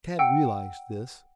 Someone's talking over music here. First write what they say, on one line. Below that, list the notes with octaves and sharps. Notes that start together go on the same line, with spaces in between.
Tad realized this.
F#5 G5 E6